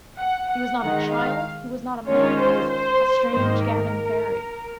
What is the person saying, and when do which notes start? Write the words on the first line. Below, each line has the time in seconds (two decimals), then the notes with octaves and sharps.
He was not a child, he was not a man; he was a strange gamin-fairy.
0.19 F#5
0.50 F#5
0.81 D#3 G#3 D#4 F#5
1.13 F5
2.07 D#3 G#3 C#4 F4 C#5
2.39 C5
2.70 C5
3.33 G#2 D#3 A#3 C5
3.65 A#4